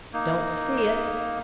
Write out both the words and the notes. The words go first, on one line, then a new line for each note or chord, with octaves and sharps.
'Don't see it.
A#3 D#4